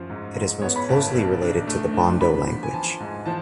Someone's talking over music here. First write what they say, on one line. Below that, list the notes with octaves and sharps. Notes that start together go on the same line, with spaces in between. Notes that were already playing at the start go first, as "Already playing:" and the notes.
It is most closely related to the Bondo language.
Already playing: F#2 F3
G#2
G#2
B3 C#5
B5
G#1 A5
A5
B1
D4
A3
D4
B3 B5
F3
G#5
F3 A5
G#2
F3 A5